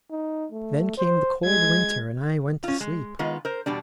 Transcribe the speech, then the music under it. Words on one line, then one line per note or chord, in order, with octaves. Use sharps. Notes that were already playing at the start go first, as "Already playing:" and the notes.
Then came the cold winter, and I went to sleep.
D#4
A3
C5
G#3 G#6
C#4 F4
G#3
D#3 G#3 B3 F4
A#4 C5
E2 B2 G3 D4